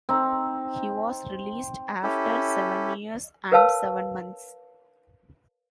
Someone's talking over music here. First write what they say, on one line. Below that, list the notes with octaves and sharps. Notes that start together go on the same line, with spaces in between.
He was released after seven years and seven months.
C4 D#4
C#4 E4 G4 A4
A#4 B4 C#5 F5 A5 E6